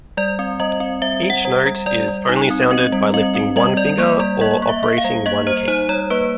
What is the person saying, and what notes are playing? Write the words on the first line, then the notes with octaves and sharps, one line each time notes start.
Each note is only sounded by lifting one finger or operating one key.
G3 D5
C4
G3 D#5
C4
G3 E5
G3
F#5
G3
G3
G3 D5
G3
D#4
C4
C4 D#5
G3
C4 D#5
C4
G3 D#5
G3 D5
A#3 D5
G3 D5
A#3 D#5
A#3
E5
A#3
F5
G3
A#3 D#5
G3 C5
D#4 C5
G3 C#5
A#3 B4